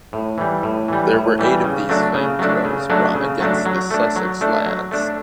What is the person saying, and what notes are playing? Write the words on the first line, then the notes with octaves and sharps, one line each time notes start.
There were eight of these flamethrowers brought against the Sussex lads.
A2
E3 G3
A2
E3 G3
A2
E3 G3
C#3
F#3 A3 D4
C#3
F#3 A3 D4
C#3
F#3 A3 D4
C#3
F#3 A3 D4
F#3
A3 D4
F#3
A3 D4
F#3
A3 D4